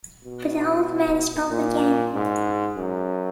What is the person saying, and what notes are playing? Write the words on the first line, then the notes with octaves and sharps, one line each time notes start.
But the old man spoke again.
B2
A#2
G#2
F#2